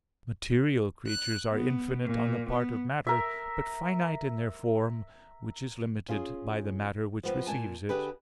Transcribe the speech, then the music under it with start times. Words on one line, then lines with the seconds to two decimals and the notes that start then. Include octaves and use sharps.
Material creatures are infinite on the part of matter, but finite in their form, which is limited by the matter which receives it.
1.08 F#6
1.48 B3
2.02 A#2
2.47 B3
3.07 A#4 E5
6.08 C#4 F4 G#4
7.23 F3 B3 C4
7.47 A#2 G#5 A5
7.89 D3 G4 G#4 B4